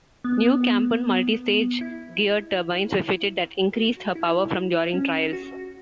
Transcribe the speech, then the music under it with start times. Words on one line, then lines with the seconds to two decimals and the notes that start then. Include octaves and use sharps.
New Kampon multi-stage geared turbines were fitted that increased her power from during trials.
0.24 B3
1.81 E4
3.76 F#4
4.15 E4
4.94 C#4
5.33 F#4